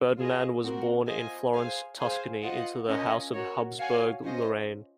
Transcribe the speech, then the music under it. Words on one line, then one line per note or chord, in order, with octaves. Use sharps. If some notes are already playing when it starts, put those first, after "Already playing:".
Ferdinand was born in Florence, Tuscany, into the House of Habsburg-Lorraine.
F4 G#4 D#5
C4 F#4 A#4
F4 C5 D#5 G#5
G#4 C5 F5 G#5
G#4 C5 F5 G#5
F4 C5 D#5 F#5
C#4 F4 A#4 D#5 G#5
F#4 A#4 C#5
F#4 C#5 F5 G#5
C#4 F4 C5 D#5